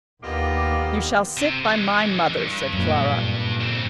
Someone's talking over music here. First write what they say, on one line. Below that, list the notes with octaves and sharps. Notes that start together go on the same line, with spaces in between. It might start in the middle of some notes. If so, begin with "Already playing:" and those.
"You shall sit by my mother," said Clara.
D#2 D3 A#3 B3 F4 G4 D#5
C3
E3 G#3
G2
F#2 A#2
C#3 C4